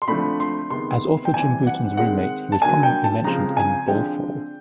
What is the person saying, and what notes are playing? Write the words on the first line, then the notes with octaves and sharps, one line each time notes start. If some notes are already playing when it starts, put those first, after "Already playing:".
As author Jim Bouton's roommate, he was prominently mentioned in "Ball Four".
C6
D3 F3 A3 C4 B5
C6
C3 D#3 G#3 B3 C6
G5
E3 G3 C4 G#5
F#5
D#3 G#3 C4 F#5
A5
D3 F#3 A#3 G#5
G5
A5
C#3 F3 G#3 C4 A#5
G#5
D3 F3 G#3 C4 G5